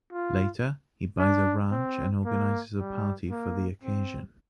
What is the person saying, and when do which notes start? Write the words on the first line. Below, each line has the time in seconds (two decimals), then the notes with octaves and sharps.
Later, he buys a ranch and organizes a party for the occasion.
0.13 F4
1.19 D4
1.72 C4
2.25 A#3
2.78 G3
3.31 A#3
3.83 C4